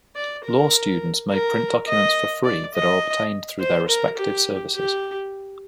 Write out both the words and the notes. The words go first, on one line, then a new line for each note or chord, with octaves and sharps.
Law students may print documents for free that are obtained through their respective services.
D5
A#4
A#4
D#5
D5
D#5
C5
A#4
G4
G4